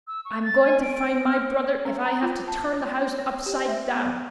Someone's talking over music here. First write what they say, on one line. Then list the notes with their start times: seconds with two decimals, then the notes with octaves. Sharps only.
"I'm going to find my brother if I have to turn the house upside down."
0.07 E6
0.25 C#6
0.43 A6
0.64 G#5
0.82 D7
0.95 D7
1.25 F6
1.85 C#4
2.05 A#5
2.22 F4
2.48 A5
2.72 C#5
3.18 C#5
3.46 G4
3.68 E5
3.95 B3